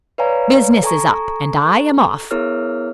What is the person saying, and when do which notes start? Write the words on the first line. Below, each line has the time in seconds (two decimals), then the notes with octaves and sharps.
"Business is up and I am off!"
0.18 B4 C#5 D5 F5 G#5 A#5
0.83 A4 G#5 A#5 C#6
2.31 B3 E4 G#4 A#4 C#5 F6